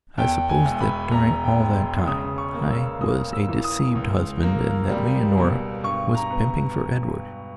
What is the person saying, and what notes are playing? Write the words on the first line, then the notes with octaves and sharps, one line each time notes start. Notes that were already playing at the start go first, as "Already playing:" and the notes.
I suppose that, during all that time I was a deceived husband and that Leonora was pimping for Edward.
E2 G5
G#5
E1
B5
E2 A#5
G5
G#3
C#3 D#6
C#6
A#3
E6
A#3 D#6
E6
E3
D#6
C#2
A#3
G3
B2
G2 C#6
A#5
B3